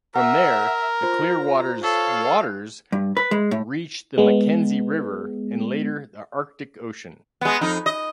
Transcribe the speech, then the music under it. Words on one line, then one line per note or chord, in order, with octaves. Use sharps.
From there the Clearwater's waters reach the Mackenzie River and later the Arctic Ocean.
A#4 E5 F#5
F4 C5 A#5
A4 C#5 F5
G2
B4
G#3
A2
G#3 B3
G#3 B3
F2 D#4
D#5